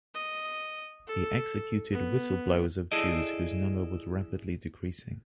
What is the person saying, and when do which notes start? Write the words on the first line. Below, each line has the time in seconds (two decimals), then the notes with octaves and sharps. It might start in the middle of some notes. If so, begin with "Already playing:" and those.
He executed whistleblowers of Jews whose number was rapidly decreasing.
0.15 D#5
1.07 A4
1.92 B3
2.92 E4 G#4 A4 D5 D#5